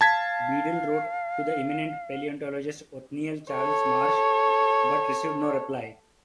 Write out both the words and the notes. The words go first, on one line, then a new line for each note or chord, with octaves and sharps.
Beadle wrote to the eminent paleontologist Othniel Charles Marsh, but received no reply.
F5 A5 G#6 B6
A4 C#5